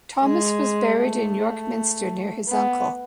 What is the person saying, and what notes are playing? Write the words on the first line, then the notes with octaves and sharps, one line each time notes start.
Thomas was buried in York Minster near his uncle.
G#3
A3
B3